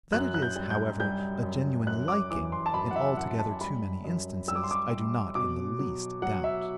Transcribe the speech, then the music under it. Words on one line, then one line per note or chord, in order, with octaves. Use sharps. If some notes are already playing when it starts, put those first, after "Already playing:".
That it is, however, a genuine liking, in altogether too many instances, I do not, in the least, doubt.
F#2 F#6
F#6
G6
G3
G6
G3 G6
F#2
F#2 F#6
D6
E3 D6
C6
A5
F#2 B5
F#5
E5
F#2 F#5
A5
G3 B5
F#2
G3 E6
D6
C6
D6
G3
B2 D6
F#3
F#3 F#5
E5